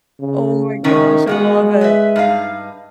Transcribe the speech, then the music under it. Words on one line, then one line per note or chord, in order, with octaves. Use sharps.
Oh my gosh, I love it.
C#3
A2 C3 D#3 C#4
G#3 A#3 B3 F#4
B4 E5
G2 D#4 F5